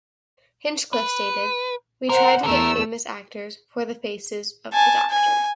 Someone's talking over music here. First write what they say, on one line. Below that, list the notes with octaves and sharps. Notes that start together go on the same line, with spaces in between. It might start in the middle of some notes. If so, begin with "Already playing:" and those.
Hinchcliffe stated, We tried to get famous actors for the faces of the Doctor.
B4
A#4 C5 F#5 A#5
E2 D3 A3 A#4 E6
G#5 A5
G#5